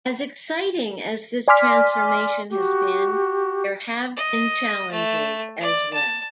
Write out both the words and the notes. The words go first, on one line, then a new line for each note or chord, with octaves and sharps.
As exciting as this transformation has been, there have been challenges as well.
D5 G#5 C6 D6 F6 B6
F#4 G4
D#5
A3
D5
A5